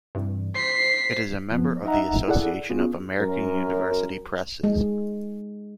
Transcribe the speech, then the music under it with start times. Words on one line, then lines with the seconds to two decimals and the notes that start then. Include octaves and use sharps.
It is a member of the Association of American University Presses.
0.15 G2 C3 E3
0.55 C5 B6 C7
1.50 F#2 F3 B3
1.85 D#4 D#5 E5 F#5 A#5
2.28 E4 G#4 A4 D5 F#5
2.70 B3 C#4 F4 F#4 G#4
3.19 F#2 A#4
4.64 G#3